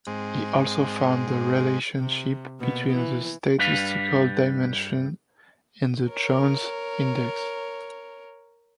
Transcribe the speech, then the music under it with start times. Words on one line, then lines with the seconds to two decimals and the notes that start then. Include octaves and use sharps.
He also found the relationship between the statistical dimension and the Jones index.
0.07 G#2 G#3 C4
1.99 C3
2.60 B2 A#3 B3
2.93 E3
3.58 G2 G3 D4 B4 F5
6.09 A#4 C#5